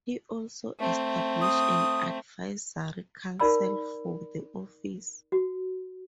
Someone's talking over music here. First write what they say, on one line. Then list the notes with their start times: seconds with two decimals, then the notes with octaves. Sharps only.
He also established an advisory council for the office.
0.79 A3 C4
1.41 D#6
3.40 D#4 A#4 D5 B5 E6
5.32 F#4